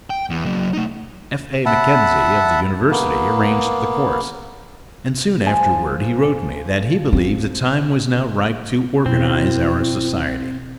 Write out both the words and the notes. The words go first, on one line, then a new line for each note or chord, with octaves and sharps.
F. A. McKenzie of the university arranged the course, and soon afterward he wrote me that he believed the time was now ripe to organize our society.
G5
E2
F#3 A#3
A3 D#4
E5 F#5 A5 B5
A#3 B3
F3 G#5 A5
C4
B2 C4 E4